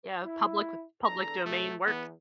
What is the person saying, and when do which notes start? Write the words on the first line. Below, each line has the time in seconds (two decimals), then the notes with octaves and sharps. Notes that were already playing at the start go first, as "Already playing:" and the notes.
Yeah, public with public domain works.
0.24 E4
1.04 E2 D4 A4 A#5
1.45 A#1 A2 C3 A3
1.86 E2 E3 B3